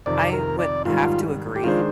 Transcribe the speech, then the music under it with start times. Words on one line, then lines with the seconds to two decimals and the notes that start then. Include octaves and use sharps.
I would have to agree
0.06 F2 C3 D#3 D5
0.33 A#4
0.59 D5
0.85 G#2 D#3 G3 F4
1.56 G4
1.64 D#3 G#3 D4 F4 G#4 C5